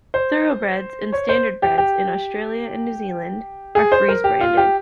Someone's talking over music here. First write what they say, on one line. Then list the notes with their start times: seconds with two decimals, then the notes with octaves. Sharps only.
Thoroughbreds and Standardbreds in Australia and New Zealand are freeze branded.
0.14 C5
1.12 C#5
1.29 C5
1.62 G4
1.78 G4
3.75 G#4
3.92 C5
4.08 A#4
4.24 G4
4.41 F4
4.57 G4